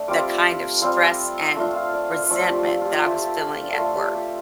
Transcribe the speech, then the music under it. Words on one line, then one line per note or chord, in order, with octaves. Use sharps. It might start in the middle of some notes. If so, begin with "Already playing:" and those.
the kind of stress and resentment that I was feeling at work.
Already playing: A3 D4
G3 C4 F4 D6
G3 C4 F4 C6
A3 D4 F4
F5
D5
D5
C5
F3 A3 D4 F4 A4
G4
F4
F4 G4
A3 F4 G4
G4
A4
D5
A4
A3 F4 C5
G4
G4